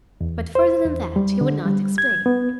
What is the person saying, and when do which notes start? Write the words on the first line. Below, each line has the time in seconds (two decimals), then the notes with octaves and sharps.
But further than that he would not explain.
0.21 E2
0.55 C5
0.85 E2
1.16 G3
1.41 D3
1.66 G3
1.98 G#6
2.26 B3